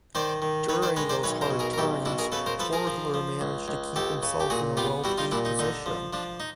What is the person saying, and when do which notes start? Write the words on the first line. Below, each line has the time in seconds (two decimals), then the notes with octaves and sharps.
During those hard times, Torgler managed to keep himself in a well-paid position.
0.15 D#3 C5 D5
0.42 D#3
0.69 D#3 B4 C#5
0.82 C5 D5
0.96 G#3 B4 C#5
1.09 C5 D5
1.23 B1 B4 C#5
1.41 A#4 C5
1.51 B2
1.59 G#4 A#4
1.73 A#4
1.78 B1 G4 A4
2.05 B2 D4 E4
2.19 G#4 A#4
2.32 C#3 A4 B4
2.46 A#4 C5
2.60 F3 A4 B4
2.73 G#4 A#4
2.87 F3
3.14 F3
3.41 C#2
3.68 C#2
3.96 C#2 G4 A4
4.23 C#3
4.40 G4
4.50 A#2 F#4 G#4
4.77 B3 F4 G4
5.04 G3 E4 F#4
5.18 D#4 F4
5.31 A#2 D4 E4
5.45 D#4
5.59 D3 D#4
5.86 F3
6.13 F3 D4
6.40 D#4